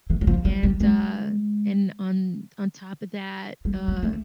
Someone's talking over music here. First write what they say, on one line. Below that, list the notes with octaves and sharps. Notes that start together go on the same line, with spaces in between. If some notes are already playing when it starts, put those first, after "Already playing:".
And, uh, and on on top of that, uh,
E3
F#3
F3
F#3
G3
G#3
G3
G3
A3